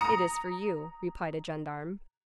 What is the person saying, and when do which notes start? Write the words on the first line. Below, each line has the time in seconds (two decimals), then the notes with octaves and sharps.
"It is for you," replied a gendarme.
0.01 A#5 D#6 C#7